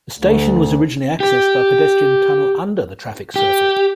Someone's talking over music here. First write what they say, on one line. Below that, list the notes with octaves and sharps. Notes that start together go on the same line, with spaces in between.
The station was originally accessed by a pedestrian tunnel under the traffic circle.
D2
G4
G4